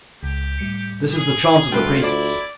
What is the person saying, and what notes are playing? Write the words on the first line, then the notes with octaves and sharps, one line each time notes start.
This is the chaunt of the Priests.
C#2 G4
A2 G3 C#7
G#4
D2 G3 F4 A4 B4 G5
E4 F4 C5 D5